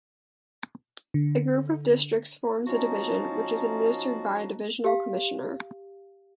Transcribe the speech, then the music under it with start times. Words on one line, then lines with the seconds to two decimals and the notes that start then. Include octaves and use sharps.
A group of districts forms a division, which is administered by a 'Divisional Commissioner'.
1.14 D3
2.67 F3 C#4 D#4 F#4 A5 A#5
4.84 G4 F5